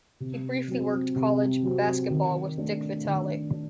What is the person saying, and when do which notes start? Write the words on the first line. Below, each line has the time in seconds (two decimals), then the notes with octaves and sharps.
He briefly worked college basketball with Dick Vitale.
0.20 C3
0.68 F#3 C4
1.16 C3
1.63 F#3 C4
2.10 D#3
2.58 A3 D4
3.05 D#3
3.52 D4